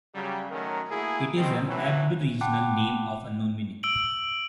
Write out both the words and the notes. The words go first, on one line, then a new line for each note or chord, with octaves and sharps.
It is an Aboriginal name of unknown meaning.
C#3 F#3 G3
D#3 F#3 A3 C#4 A#4
A3 A#3 E4 F#4 G#4
B2 D#3 G3 G#3 C4
A2 E3 F#3 G3 C#4 E4
F#5 G5 A5 B5 D6 F#6
E6 D7 F#7